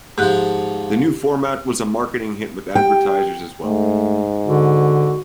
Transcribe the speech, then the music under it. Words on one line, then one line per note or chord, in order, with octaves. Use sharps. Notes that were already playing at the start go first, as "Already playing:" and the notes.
The new format was a marketing hit with advertisers as well.
G#2 F3 G4 F#6
G4 G5
G#2 A3
D3 F#4